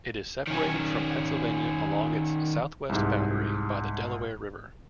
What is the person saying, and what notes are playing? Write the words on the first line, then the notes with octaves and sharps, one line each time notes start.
It is separated from Pennsylvania along its southwest boundary by the Delaware River.
D#3 C#4
C2 G#2